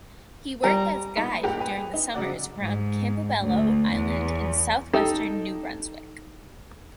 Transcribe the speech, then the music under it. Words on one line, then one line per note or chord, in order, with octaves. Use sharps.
He worked as guide during the summers around Campobello Island in southwestern New Brunswick.
G3 A#5
A#2 D#4 B5 C#7
G2 A#3 G4 A#4 F#5
G4 G#4 B4
D#4
C#3 F#3 D5 F#5
G#2
D2
E2
D#4 G4 A4